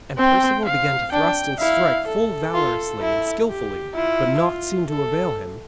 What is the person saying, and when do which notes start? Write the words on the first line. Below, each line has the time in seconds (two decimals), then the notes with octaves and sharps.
And Perceval began to thrust and strike full valorously and skilfully, but naught seemed to avail him.
0.17 C4 G5
0.65 F5
1.12 D4 G5
1.59 E4 F5
2.07 A4
2.54 F4
3.01 E4
3.49 G4
3.96 E4 F4
4.43 F4
4.90 A4